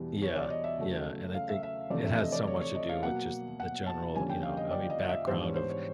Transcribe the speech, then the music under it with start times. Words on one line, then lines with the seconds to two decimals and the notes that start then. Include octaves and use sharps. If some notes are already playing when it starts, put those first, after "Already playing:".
Yeah, yeah, and I think it has so much to do with, just, the general, you know, I mean, background of
Already playing: E2 B2 G3
0.22 C#5
0.36 D5
0.50 D#5
0.64 E5
0.78 C#3 F#3 A3
1.34 F5
1.49 E5
1.63 E5
1.90 F2 C3 E3 A3 D4 D5
2.05 E5
2.19 D#5
2.32 D5
2.47 C#5
2.61 C#5
2.75 D#5
2.89 F5
3.03 B2 F#3 A#3 F#5
3.60 F#5
3.87 A5
4.15 F2 D3 G3 A#3 C#4 G#5
4.30 G5
4.43 F5
4.57 D#5
4.71 D5
4.90 D#5
5.04 D#5
5.09 E5
5.27 G#2 E3 G3 B3 D4 C5
5.42 C#5
5.56 C5
5.70 C#5